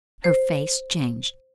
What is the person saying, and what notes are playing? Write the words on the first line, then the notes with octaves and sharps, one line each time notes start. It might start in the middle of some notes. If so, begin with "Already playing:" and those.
Her face changed.
C5